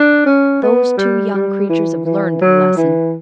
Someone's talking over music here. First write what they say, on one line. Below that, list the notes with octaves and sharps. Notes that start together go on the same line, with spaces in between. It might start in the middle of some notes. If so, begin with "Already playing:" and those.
Those two young creatures have learned their lesson.
Already playing: D4
C#4
B3
G3
G3
E3
E3
F#3
E3